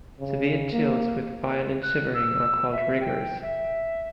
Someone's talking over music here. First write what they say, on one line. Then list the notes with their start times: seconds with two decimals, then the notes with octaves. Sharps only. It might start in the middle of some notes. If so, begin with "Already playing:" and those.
Severe chills with violent shivering are called rigors.
0.20 C#3
0.72 A#3
1.83 F#6
2.14 E6
2.72 E5
3.01 G5
3.42 E5